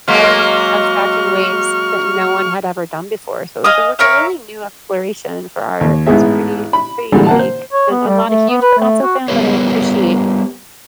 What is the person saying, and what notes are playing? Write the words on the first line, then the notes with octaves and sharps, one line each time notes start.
And abstract in ways that no one had ever done before, so it was a like, a really new exploration for art. It was pretty, pretty unique, and I'm not a huge Picasso fan, but I appreciate
F#3 G#3 A#3 C#6 F6
D#5 F5 G#5 D#6
A#4 C#5 E5 F5
D#2
A1 G#2 B3 G#4 E5
B5
A#2 D3 E3 G3 G#3
A#3 F#5 A5
C5
C#5
B3
G3
A3
B3
B4
A3
F#4
G3 B3 G4 A#4 B4 C#5